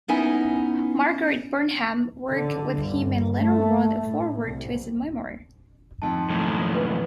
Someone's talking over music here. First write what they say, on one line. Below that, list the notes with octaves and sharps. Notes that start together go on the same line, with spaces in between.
Margaret Burnham worked with him and later wrote a foreword to his memoir.
B3 C#4 D#4 E4 E5 G#5
D3
G1
A3
A2
C2
F2 G#2 A5
B1 A2
D#6
B4